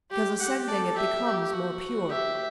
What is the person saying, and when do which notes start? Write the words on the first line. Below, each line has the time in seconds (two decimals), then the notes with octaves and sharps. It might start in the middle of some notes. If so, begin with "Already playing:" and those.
Because ascending it becomes more pure.
0.11 G4
0.40 G4 F#5
0.68 A4 D5
0.96 G4 E5
1.25 G4
1.54 F#4
2.10 G4 E5